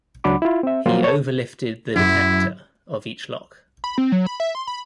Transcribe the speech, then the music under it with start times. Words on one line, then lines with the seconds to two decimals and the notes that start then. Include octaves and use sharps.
He overlifted the detector of each lock.
0.24 C#2 F#3 D4 F#5 B5 D6
0.42 E4 F4
0.63 C4 E5
0.86 F3 F#3 A#3 F4 F#4 C5
1.04 A4 C#5
1.96 F#2 E4
3.84 B5
3.98 C4
4.12 F#3
4.26 B5
4.40 E5
4.55 C6
4.67 B5